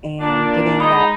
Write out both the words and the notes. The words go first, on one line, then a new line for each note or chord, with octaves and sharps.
and, giving that
A#2 D4
G#3 D#4 B5